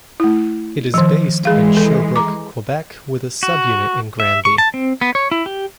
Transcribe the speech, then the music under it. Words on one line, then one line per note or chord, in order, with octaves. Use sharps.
It is based in Sherbrooke, Quebec, with a sub-unit in Granby.
A3 E4
D#3 F3
E3 G#3 G#4 F5
A4
A#5 D6
F#4
E5
C#6
A5
C4
B3
C#5
E4
G4